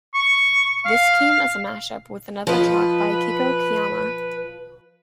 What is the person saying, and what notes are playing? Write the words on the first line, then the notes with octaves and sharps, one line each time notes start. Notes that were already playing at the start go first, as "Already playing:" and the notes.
This came as a mashup with another track by Akiko Kiyama.
C#6
F5
F3 B4 D#5